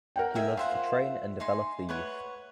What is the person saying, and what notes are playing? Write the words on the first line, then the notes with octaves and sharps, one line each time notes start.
He loves to train and develop the youth.
A#4 F#5 G5
D#5 E5 G#5
F4 C5 E5 F#5
D#4 G#4 C6
B4 C#5 F#5